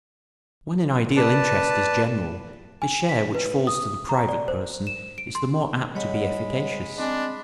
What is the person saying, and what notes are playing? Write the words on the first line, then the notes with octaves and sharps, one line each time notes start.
When an ideal interest is general the share which falls to the private person is the more apt to be efficacious.
B4 D5 A5
G#5
B6
B4
D#6
A#5
D5
C5
E7
D7
C6
G3 G#3 C#5 D#5 F#5 B5
C4 D4 D#5 G#5 C6